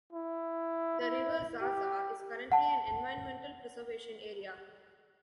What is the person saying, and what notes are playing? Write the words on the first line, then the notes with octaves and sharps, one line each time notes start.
The river Zaza is currently an environmental preservation area.
E4
E4
G4
F#5 A5